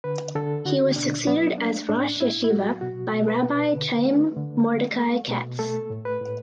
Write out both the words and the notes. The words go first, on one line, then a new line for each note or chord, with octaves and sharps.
He was succeeded as rosh yeshiva by Rabbi Chaim Mordechai Katz.
D3 B4
D3 A4
D3 F#4
B2 D4
F#3 B3
A3 D4
A2 D4
A2 E4
E4
F#3 F#4
B2 F#4
B2
B4
B2
D3
A3
D3
A3
A3
B2
A3 A4
A2
B4
A2